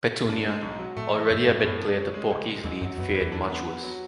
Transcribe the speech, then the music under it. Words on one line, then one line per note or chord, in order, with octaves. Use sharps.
Petunia, already a bit player to Porky's lead, fared much worse.
A2
G#2 D4
G#3
B1
F#3
A2 A3
E3
F#2 E4
G#2 C#4
F#2 A2
D4
C#4
G#3
C#2
G#3
A1 E2
F#2 F#3
F#2 B3
F#2
E3
E2
D4
B3
B3
F#3